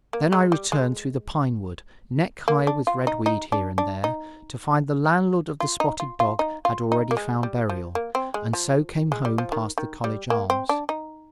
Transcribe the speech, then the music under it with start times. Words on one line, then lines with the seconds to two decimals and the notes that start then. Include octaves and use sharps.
Then I returned through the pine wood, neck-high with red weed here and there, to find the landlord of the Spotted Dog had already found burial, and so came home past the College Arms.
0.13 A#3
0.33 G#3
0.52 G3
0.72 G#3
2.48 A#3
2.67 D4
2.87 F4
3.07 D#4
3.26 D#4
3.52 D4
3.78 D4
4.04 D#4
5.60 F4
5.80 D#4
6.00 F4
6.20 F4
6.39 D#4
6.65 F4
6.92 D#4
7.11 A#3
7.17 G#3
7.43 G3
7.69 F3
7.95 A#3
8.15 C4
8.34 G#3
8.53 F3
9.12 G#3
9.25 G3
9.38 F3
9.52 D#3
9.78 D#3
10.04 G3
10.30 A#3
10.50 C4
10.69 D4
10.89 D#4